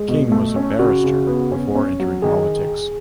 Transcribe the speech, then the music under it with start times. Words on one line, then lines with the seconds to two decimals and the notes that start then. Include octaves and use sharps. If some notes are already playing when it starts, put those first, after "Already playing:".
King was a barrister before entering politics.
Already playing: G#3
0.08 B2
0.32 A3
0.56 C#4
0.79 C#3 F#4
1.04 C#3
1.27 B3
1.52 C#4
1.75 C#4
2.00 F#3
2.22 D#3 G#4